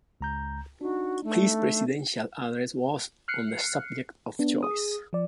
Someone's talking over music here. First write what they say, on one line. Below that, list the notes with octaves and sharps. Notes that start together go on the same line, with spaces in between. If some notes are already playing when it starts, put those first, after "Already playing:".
His Presidential address was on the subject of choice.
C#2 A#5 G6
D4 D#4 F#4
A3
F6 F#6 C7 C#7
B3 D4
G#4 D#6
F3 D5